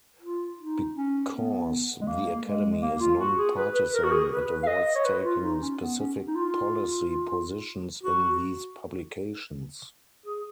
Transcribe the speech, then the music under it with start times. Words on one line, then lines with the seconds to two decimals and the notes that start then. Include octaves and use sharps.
Because the Academy is non-partisan, it avoids taking specific policy positions in these publications.
0.21 F4
0.59 D#4
0.96 C#4
1.33 B3
2.01 G#3
2.08 A#3
2.45 G#3
2.82 A#3
3.00 F4
3.19 F#4
3.38 G#4
3.56 B4
3.75 B4
3.94 A#4
4.04 F#4
4.12 G#4
4.31 B4
4.63 F5
4.67 D#5
4.95 C#5
5.05 B4
5.24 F4
5.42 D#4
5.61 C#4
5.80 B3
5.98 C#4
6.27 D#4
6.35 F4
8.03 F#4
10.26 G#4